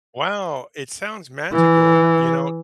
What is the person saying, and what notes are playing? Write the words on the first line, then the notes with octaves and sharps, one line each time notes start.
Wow, it sounds magical, you know,
E3